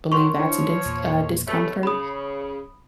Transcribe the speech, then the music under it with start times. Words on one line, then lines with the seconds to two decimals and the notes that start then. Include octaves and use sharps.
believe that's a dense uh, discomfort,
0.12 D#3 F#3 C6 C#6
0.39 F3 D4 E4 C#5
0.86 E2 A#2
1.47 B2 G3 A3 C#5
1.83 C#3 B5 D#6